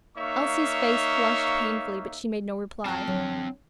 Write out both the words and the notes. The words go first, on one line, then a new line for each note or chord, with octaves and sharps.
Elsie's face flushed painfully, but she made no reply.
A#3 D#4 C#5 E5 F5 C#6
C4 G5 A5 A#5
D3 F#3